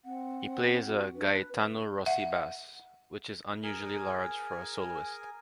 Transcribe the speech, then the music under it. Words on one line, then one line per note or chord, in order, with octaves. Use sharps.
He plays a Gaetano Rossi bass, which is unusually large for a soloist.
C4 F#5
F#4
D4 B4
E5 F#5
G#4 A#4 G#5